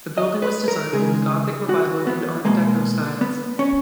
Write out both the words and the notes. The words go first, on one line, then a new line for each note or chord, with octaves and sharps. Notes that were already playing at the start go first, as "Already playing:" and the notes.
The building was designed in the Gothic Revival and Art Deco styles.
D#5
B4
A#4
C#3 G#3 G#4
F#4
B3
B2 G#3 A#3
B3
C#4